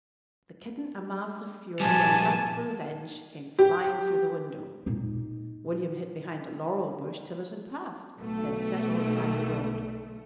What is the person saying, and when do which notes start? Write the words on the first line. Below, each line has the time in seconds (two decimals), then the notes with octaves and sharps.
The kitten, a mass of fury and lust for revenge, came flying through the window. William hid behind a laurel bush till it had passed, then set off down the road.
1.80 A#2 F3 G3 G#5 A5
3.59 G4
4.86 A#2 D#4
8.19 B1 A3